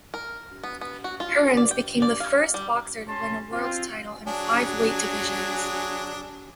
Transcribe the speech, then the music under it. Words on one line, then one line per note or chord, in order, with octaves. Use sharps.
Hearns became the first boxer to win a world title in five weight divisions.
A#4
B3
B3
F#4
F4
D5
G5
D5
F5
G3
C#4 A5 C6
C4 F4
F#3 D4 G#4